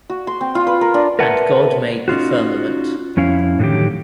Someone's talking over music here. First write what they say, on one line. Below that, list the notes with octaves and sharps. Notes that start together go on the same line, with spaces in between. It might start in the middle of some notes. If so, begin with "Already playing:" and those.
And God made the firmament.
F#4
C6
C4
F4
B4
A#4
D4
A#4 B4 E5 F#5 A5
C#4 D#4 F4 F#4
F2 C#4 E4 F5
A2 D3 D#3 F#3 G4